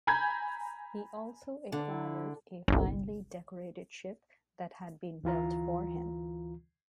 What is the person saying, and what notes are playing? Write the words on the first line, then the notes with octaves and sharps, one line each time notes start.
He also acquired a finely decorated ship that had been built for him.
G#5 A#5 B5 G6 G#6
D3 D4
E4
G1 C2
D2 E3 F4 A#5